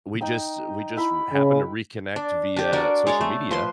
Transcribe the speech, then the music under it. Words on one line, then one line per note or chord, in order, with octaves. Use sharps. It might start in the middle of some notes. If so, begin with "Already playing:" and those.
We just we just r happened to reconnect via social media,
D#4 G5 E6
E4 B5
C#3
D4
D4 G4
D4 F#4 A#4 D5
G#3 C#5 D5 A#5
A3
F3 B4 C6